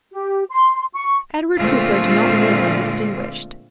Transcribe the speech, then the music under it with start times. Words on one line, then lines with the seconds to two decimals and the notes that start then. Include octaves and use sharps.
Edward Cooper did not live undistinguished.
0.12 G4
0.49 C6
0.92 C#6
1.57 A#2 D3 G#3 A3 C4 F4